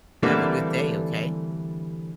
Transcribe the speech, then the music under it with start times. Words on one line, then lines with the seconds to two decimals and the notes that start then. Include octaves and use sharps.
Have a good day okay.
0.23 D3 E3 G3 A3 A#3 C4